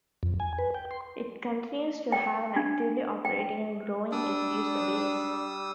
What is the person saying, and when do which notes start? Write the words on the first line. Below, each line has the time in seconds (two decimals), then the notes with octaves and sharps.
It continues to have an actively operating and growing its user base.
0.23 F2
0.40 G#5
0.59 B4
0.74 G5
0.91 C6
2.12 G5
2.56 D4
3.25 G5
4.12 G3 D4 D#6 E6